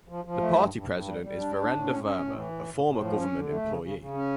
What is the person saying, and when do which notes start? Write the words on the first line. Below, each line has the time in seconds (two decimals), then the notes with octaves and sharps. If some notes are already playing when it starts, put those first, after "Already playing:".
The party president is Virender Verma, a former government employee.
0.09 F3
0.25 F3
0.41 A3
0.57 G2
0.73 G2
0.90 G2
1.06 G3
1.22 G3
1.38 D4
1.55 D4
1.71 A2
1.87 C#4
2.03 C#4
2.20 A2
2.36 E3
2.52 A2
2.69 A2
2.85 A2
3.01 F3
3.17 C#4
3.33 D3
3.49 A3
3.65 C#3
3.82 C#3
3.98 C#3
4.14 C#4